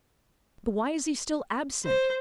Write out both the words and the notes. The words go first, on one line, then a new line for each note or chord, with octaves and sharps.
But why is he still absent?
C5